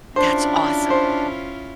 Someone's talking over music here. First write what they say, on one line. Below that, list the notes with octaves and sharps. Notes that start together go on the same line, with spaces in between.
That's awesome.
C#4 D4 E4 F4 C5
C5